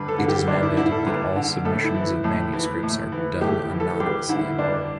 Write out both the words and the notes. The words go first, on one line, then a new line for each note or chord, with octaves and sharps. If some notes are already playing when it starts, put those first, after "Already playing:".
It is mandated that all submissions of manuscripts are done anonymously.
Already playing: G2 D3 B4
A4
D3
G4
G2 D4
E4
D3 E4
A4
G2
D3
A2 A4
E4
E3
A2
E3
A2
E3
A2 G4
E3
A4
G2 G4
D3 E4
G2 D4